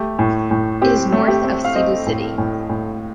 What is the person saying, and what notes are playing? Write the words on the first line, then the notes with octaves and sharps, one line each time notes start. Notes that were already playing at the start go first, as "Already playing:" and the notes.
It is north of Cebu City.
Already playing: A3 G4
A2
A2
C4 G4
A3
G4
C4
F5
C4 D#5
A2
A2
A2